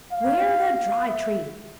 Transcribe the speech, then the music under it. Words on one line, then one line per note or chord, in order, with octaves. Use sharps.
Ware the Dry Tree!
F5
F5
E5